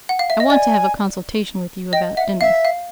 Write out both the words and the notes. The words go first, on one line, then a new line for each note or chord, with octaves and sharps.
I want to have a consultation with you about dinner.'
F#5
F5
E5
D#5
D5 G#5
D#5 G5
E5 F#5
E5 F5
F5